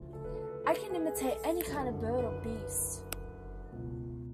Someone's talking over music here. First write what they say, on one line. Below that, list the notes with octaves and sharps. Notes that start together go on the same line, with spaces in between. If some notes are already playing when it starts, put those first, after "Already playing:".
I can imitate any kind of a bird or beast.
Already playing: D2 C#3 F3
A4
B4
A4
B4
G#4
A4
F#1 F#2 D3
B4
C#2 B2